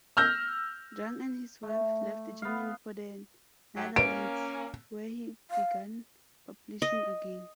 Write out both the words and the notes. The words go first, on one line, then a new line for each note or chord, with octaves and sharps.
Jung and his wife left Germany for the Netherlands, where he began publishing again.
E6 F6 G6 A#6
A3
B3 F5
G#2 F#3 G4
A#3 C#4 D7
F5
D#5